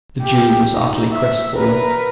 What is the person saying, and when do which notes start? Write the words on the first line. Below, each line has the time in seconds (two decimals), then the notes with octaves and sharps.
The Jew was utterly crestfallen.
0.21 G4
0.73 D#4
1.13 E5
1.56 A#4 B4